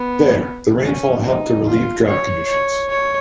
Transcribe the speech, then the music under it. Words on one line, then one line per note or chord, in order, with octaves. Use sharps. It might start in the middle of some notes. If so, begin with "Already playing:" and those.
There, the rainfall helped to relieve drought conditions.
Already playing: B3
C#4
D#4
F4
C#5
C#5
C#5